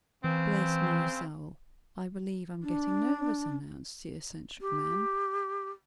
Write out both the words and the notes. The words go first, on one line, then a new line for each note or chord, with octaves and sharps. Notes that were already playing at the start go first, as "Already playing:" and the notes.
"Bless my soul, I believe I'm getting nervous," announced the eccentric man.
C#3 E3 C4
D4
G4